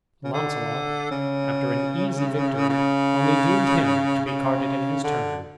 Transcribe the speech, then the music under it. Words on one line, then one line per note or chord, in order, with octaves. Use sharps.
Launcelot, after an easy victory, only doomed him to be carted in his turn.
C#3
D3
C#3
C#3
C#3
D3